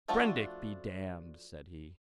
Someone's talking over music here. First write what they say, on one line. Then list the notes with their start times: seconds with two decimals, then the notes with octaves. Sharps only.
"Prendick be damned!" said he.
0.08 F3 A3 D4 F4 F#4